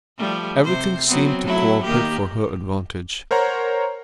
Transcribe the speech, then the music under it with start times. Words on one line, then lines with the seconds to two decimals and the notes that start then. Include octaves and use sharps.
Everything seemed to cooperate for her advantage.
0.18 F3 G3 A3
0.64 C3 C5
1.07 F#3 B3 C4
1.43 F#3 A3 E4
1.84 D#3 A#3 G4
3.31 A#4 C5 C#5 F#5 A#5